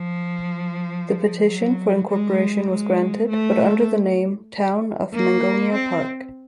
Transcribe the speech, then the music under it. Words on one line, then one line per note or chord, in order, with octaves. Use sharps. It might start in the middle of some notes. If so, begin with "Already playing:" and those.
The petition for incorporation was granted but under the name Town of Mangonia Park.
Already playing: F3
F#3
G#3
G#3
A3
A#3
C4